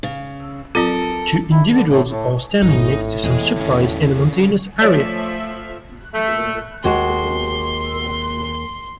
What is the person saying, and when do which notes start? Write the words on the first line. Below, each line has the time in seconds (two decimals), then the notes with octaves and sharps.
Two individuals are standing next to some supplies in a mountainous area.
0.03 C#3
0.75 F#3 C4 F4 A4 A#4
1.51 E4
1.71 D3
1.90 A2
2.08 A2
2.62 G#1 A2 D#4 F4
3.24 E2 G#4 D#5
3.56 D3 C#4
4.82 F3 A3 C#5 D5 E5
6.13 A3
6.84 D#2 G#3 F#4 C6